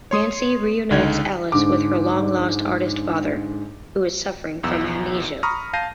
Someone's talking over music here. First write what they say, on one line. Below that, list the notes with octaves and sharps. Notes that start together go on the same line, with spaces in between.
Nancy reunites Alice with her long-lost artist father, who is suffering from amnesia.
C#5 C6 D#6
C#2 D3 D#4 G#6
G#2 D3 D6
B1 E2 E6 E7
A#5 B5 C#6 D#6 F6 A#6
F5 A5 G6 A#6 C7 D#7